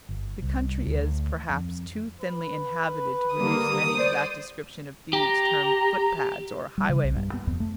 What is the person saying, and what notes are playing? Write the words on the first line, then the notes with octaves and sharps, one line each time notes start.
The country is, perhaps, too thinly inhabited to produce many of that description of thieves termed footpads, or highwaymen.
G1
C2
D2
F2
B4
D3 G3 A#3 D#6
C5 D5
G4 A#5
G3
C#3
B1
G2
B3
F2
A3